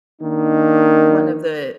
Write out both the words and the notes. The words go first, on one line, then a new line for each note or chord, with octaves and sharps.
one of the
D#3 A#3 D4 D#4